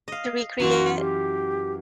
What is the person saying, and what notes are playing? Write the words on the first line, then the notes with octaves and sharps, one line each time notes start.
to recreate it?
D#5 F5
F#2 E3 F4 F#4
G4